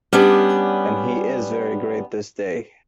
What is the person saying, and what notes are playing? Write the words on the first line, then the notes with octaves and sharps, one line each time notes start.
And he is very great this day.
G3 B3 C#4 D4